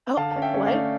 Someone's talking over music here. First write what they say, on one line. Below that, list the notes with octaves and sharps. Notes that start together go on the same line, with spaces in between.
Oh what?
D3 F5 A5
C#4 A5
E5 G5
C#4
D5 F5
A3